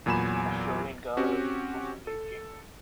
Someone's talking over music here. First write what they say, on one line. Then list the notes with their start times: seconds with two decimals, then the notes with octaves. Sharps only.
Australian Gala are available from late January.
0.06 E2 A#2 F#3 G#5 B5 E7
1.17 C4 C#4 F#4 G4
2.07 A4